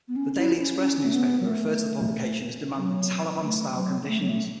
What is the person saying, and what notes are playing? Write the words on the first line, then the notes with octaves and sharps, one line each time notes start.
The "Daily Express" newspaper referred to the publication as demanding "Taleban-style" conditions.
B3
C#4
E4
C#4
C#4
A3
B3
F#3
A3
F#3
A3
F#3
A3
F#3
A3